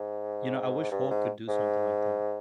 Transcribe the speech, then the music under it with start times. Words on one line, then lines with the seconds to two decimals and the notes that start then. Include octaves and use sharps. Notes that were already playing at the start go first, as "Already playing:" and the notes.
You know, I wish Hulk could do something like that.
Already playing: G#2
0.91 G2
1.10 G#2
1.48 G#2